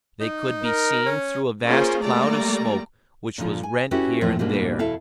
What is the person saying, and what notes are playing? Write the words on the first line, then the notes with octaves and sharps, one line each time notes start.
They could be seen through a vast cloud of smoke which was rent here and there.
D#4
A#4
C#4
A#3 C#4 F4 G#4 A#4 C5
G3 A3 A#3 D5 A#5
A#2 D3 F3 F4
G#5
C#4 E4 F#4 G4 A4 B4
E2 A2 F3 C4
G#2 B2 G3 A#3 D4
E2 B2 E4 A4 F5